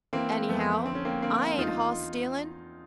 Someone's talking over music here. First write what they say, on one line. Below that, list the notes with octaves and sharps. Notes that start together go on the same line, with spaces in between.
Anyhow, I ain't hoss stealin'.
E3 A#3 C4
F2 A3 B3
D3 C4
C#4
A#3 C4
D3 A#3 C4
E2 D#4 F4